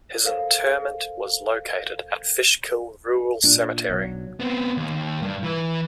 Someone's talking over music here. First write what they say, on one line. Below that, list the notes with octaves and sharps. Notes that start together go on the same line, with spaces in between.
His interment was located at Fishkill Rural cemetery.
A4 A#4 C5 F5
A#2 D4
B1 F#3
B3 C4
D#2
G2
E3 B4